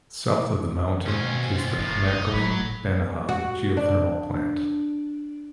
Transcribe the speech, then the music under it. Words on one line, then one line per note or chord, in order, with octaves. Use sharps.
South of the mountain is the Makiling-Banahaw Geothermal Plant.
D#2 B2 C#4 C5
F4
F#1 A2
D#4
F#1 F#3 B5
F#4
D4